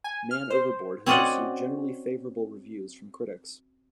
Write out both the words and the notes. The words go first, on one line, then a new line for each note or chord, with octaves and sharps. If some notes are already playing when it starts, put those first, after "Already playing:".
"Man Overboard" has received generally favorable reviews from critics.
G#5
F6
C5
C4 C#4 F#4 D5 D#5 F#5